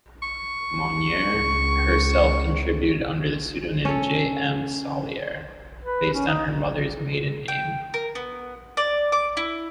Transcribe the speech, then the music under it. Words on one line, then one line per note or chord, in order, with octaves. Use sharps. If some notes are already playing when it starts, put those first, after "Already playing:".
Monnier herself contributed under the pseudonym J-M Sollier, based on her mother's maiden name.
C#6
C#2
C#4 A4
B4
C#4
D#4
G5
A#4
B3
D5
D6
E4